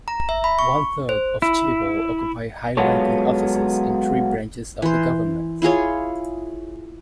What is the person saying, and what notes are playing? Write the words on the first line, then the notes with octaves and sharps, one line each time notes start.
One-third of chaebol occupy high-ranking offices in three branches of the government.
A#5
E5
B5
C#6
C5
E4
F#3 G#3 B3 F4 A4 C#5
E3 C5
E4 F4 G#4 C#5